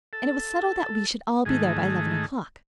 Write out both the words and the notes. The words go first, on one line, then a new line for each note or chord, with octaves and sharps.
And it was settled that we should all be there by eleven o'clock.
A4
G#2 D#3 A3 G#4